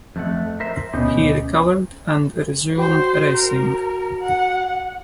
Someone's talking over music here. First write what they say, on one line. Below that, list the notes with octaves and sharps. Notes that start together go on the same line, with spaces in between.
He recovered and resumed racing.
F2 A3 F#5
A#4 C5 E5
D2 B2 B3 C#4 D#4 G4
F#4 C5 G5
A#4
F#5